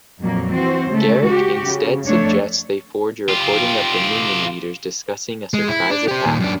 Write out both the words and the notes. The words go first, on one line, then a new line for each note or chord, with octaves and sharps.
Garak instead suggests they forge a recording of Dominion leaders discussing a surprise attack.
F2 A#2 F#3 A#3
E3 C4 F#4 C5
C#3 G#3 A3
F#4 G4
C#3
F2 A3 D4 C#5
F4 G4
G#3
E4
D4
G4 C5
D#2 A#2
F#2 D4